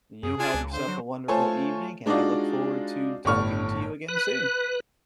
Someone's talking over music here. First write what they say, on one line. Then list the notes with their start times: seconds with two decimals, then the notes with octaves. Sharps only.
You have yourself a wonderful evening, and I look forward to talking to you again soon.
0.23 F#2 G#4
0.40 D4 F4 G#5
0.54 C#2
0.73 D3 C5
0.88 F#3
1.28 A3 F4 A4 C5 C#5 G#5
2.06 G#3 D4 D#4 F4 F#4 D5
3.25 G1 A2 C#6 F6
4.08 B4 F#6